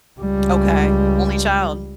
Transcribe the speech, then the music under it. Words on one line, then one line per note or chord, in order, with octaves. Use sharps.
Okay. Only child.
C#2 G3